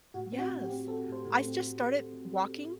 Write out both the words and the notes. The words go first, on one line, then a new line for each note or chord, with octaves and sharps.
Yes. I just started walking
A2 F#4
C4
F#4
A2
G4
C4
C4 A4
A2
C5
A2
C4